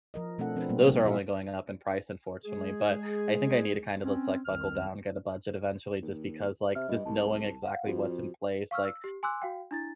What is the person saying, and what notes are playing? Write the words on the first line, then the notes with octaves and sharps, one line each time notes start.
those are only going up in price, unfortunately. But I think I need to kind of let's like buckle down and get a budget eventually just because like just knowing exactly what's in place, like,
F3 A#4 D#5
B2 A3 C4 D4 A4 F#5
F3 C4 D4 B4
A#2 F#3 G3 A#3 B3 C#4
G3 F4 G4
A#2 E4 F#4 G#4 E5 F5
G#3 G#4
C4 C#4
C2 F2 D#3 F6
D#2
C3 E5 F6
G2 D#5
C2 A5
F5 F#5
F2 F#4
F5 C#6 E6 F6
E6
G4
G#5 C6 D6 E6 F#6
F#4 F5 G5
D4 E4 A6